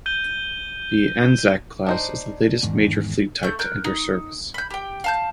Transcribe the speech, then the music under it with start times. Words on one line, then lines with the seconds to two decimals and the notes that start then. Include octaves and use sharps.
The "Anzac" class is the latest major fleet type to enter service.
0.06 G6 D#7 G7
1.86 D4 D#4 C5
2.63 E2 G#2 D#3
3.43 A3 G6
3.59 A#4 F#6 G6
3.84 D#4
4.54 B5 G6
4.70 G4 G5
5.04 F5 A5 G6